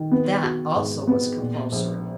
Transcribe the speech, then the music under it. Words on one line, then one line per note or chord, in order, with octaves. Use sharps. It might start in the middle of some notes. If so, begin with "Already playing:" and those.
That also was compulsory.
Already playing: D#3
B3
F#4
G#2
B3
A#2
A#1